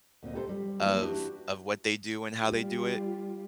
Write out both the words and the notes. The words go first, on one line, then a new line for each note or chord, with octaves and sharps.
of of what they do and how they do it,
D2 A#2 C4 D#5
G4 A4 A#4 C5
G3
E3 G3 A3 A#3 E4 F4
D4 E4 F#4 G4 B4
G3 F4